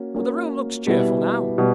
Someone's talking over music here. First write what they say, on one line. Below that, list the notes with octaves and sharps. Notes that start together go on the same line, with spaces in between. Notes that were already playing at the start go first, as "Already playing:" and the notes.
But the room looks cheerful now.
Already playing: A#3 C#4 F#4
A#3 C#4 F#4
B2 G3 B3 E4
B2 G3